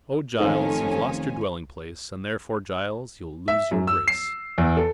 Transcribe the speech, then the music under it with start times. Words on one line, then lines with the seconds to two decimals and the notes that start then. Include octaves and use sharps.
"O Giles, you've lost your dwelling-place, And therefore, Giles, you'll lose your Grace."
0.40 F1 D#3 C#4 D#4 A4 C5 F5 G#5
3.48 E5
3.71 F#2
3.87 E6
4.08 C7
4.58 E2
4.77 A4